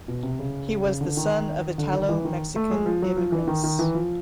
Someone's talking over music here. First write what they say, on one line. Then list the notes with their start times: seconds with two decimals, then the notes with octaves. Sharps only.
He was the son of Italo-Mexican immigrants.
0.08 B2
0.23 C3
0.39 C#3
0.85 C#3
1.01 D3
1.17 D#3
1.78 D3
1.93 D#3
2.09 E3
2.25 D#3
2.56 A3
2.71 G#3
2.86 F3
3.02 F#3
3.17 F3
3.32 E3
3.48 D#3
3.64 D#3
3.79 E3
3.95 F3